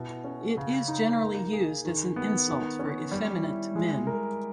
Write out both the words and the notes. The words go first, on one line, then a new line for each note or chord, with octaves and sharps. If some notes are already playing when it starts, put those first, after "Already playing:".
It is generally used as an insult for effeminate men.
Already playing: B2 E4
C#4
C#3
D#4
A#3
G#4
D#3
B3
D#3
C#4
G3
E4
G#3
A#4